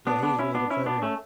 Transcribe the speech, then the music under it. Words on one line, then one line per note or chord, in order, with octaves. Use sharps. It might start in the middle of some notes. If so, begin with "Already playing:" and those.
Yeah, he's a really good fighter.
B3 D4
B3 D4
C#4 E4
B3 D4
C#4 E4
B3 D4
A3 C#4